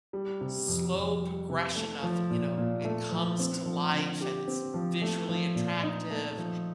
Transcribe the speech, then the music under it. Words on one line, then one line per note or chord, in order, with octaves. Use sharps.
slow progression of, you know, it comes to life, and it's visually attractive,
G3
C3
F2
F2
G3
C3
A3
F3
A#2
A#2
A3
F3
C4
F3
D3
G4
C4
F3
A3
F3
A#2
D#4
A3
F3